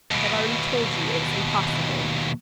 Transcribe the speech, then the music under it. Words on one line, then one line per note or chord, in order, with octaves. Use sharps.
"I have already told you it was impossible."
D#2 B2